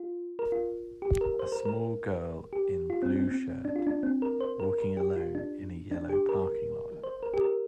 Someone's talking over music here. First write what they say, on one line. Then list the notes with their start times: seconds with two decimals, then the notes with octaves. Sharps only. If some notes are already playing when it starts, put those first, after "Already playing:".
A small girl in blue shirt walking alone in a yellow parking lot.
Already playing: F4
0.39 A#4
0.52 F4
1.02 G4
1.21 A#4
1.39 C5
1.52 A#4
1.65 A#4
2.53 G4
2.90 F4
3.03 C4
3.16 C4
3.28 C4
3.65 D4
3.76 F4
3.87 D4
4.03 C4
4.22 A#4
4.41 C5
4.60 A#4
4.78 A#4
4.97 G4
5.16 F4
5.35 D4
5.91 D4
6.09 G4
6.29 A#4
7.04 C5
7.23 A#4
7.34 G4
7.41 A#4